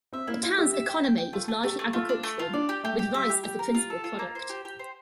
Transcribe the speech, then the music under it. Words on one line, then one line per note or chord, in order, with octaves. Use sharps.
The town's economy is largely agricultural, with rice as the principal product.
C4 E5
A#3 E4
E4 F4
G4 E5
E5
G5
G5
G5
A3 F4
A3
A3 G4
A3
A3 F4
D4
A3
F4
D4 D5
G4
A3 G4
G4
G3 E5
G4
G4
A#4
F4
A4
F4
A#3
C5
G4
G4
C5